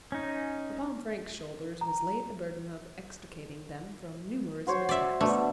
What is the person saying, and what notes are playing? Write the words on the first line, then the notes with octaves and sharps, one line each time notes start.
Upon Frank's shoulders was laid the burden of extricating them from numerous mishaps.
C#4 D#4
A#5
F#4 C5 C#5
D5 E5
B2 A3 D4